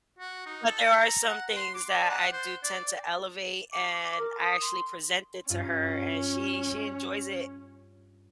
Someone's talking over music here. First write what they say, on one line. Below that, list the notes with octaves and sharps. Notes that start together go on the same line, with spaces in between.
But, there are some things that I do tend to elevate and I actually present it to her and she she enjoys it
F#4
D#4
A4
A#5
F#5
C6
D6
D5
F#5
C5
D5
D6
A#4
D#6
C6
G2 C#4 F4